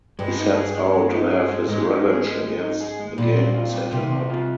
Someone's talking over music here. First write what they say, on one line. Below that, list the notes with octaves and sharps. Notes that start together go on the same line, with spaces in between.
He sets out to have his revenge against the gang who set him up.
G2 G#3
D#4
G#4
G#3
G#3
D#4
G#4
G#3
G#2 G#3
D#4
G#4
G#3
G#3
D#4
G#4
G#3
A#2 G3
C4
F4
G3
C3 G3
C4
F4